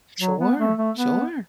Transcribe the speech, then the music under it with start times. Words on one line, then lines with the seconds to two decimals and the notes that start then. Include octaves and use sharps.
Sure, sure.
0.20 F#3
0.39 B3
0.59 A3
0.77 A3
0.97 B3